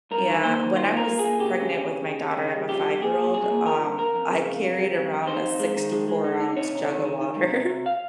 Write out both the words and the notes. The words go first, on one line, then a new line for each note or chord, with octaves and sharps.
Yeah, when I was pregnant with my daughter- I have a five-year-old- um, I carried around a sixty-four-ounce jug of water.
G2 A#4
D#3
A#3 C5
D#3
F4 C5
A#3 A#4
F4
A#3 G#4
C#3 G4
C#4
C#4
C#3
C#4
C#4
C#3
G3
F3 G4
C2
A#2 G#4
A#2
C2 G#4
A#2
F3 A#4
C2
F2 A#4
F2
C#3
F2
C#3
G3
F2
F2
D#4 C5
F2
G#3
D#3
G#3
G#3
D#4
D#4
C3 C#5
C3
D#3
D#3
D#3
C3
C3
C3
F5